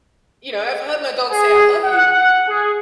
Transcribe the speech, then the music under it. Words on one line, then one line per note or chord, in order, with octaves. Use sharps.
You know, I've heard my dog say I love you,
G#4
F#5
G#4